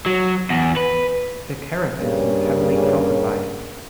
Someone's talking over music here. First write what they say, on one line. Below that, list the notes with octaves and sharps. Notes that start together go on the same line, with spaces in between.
The carapace is heavily calcified.
F#3
E2
B4
G2 C#3 A#3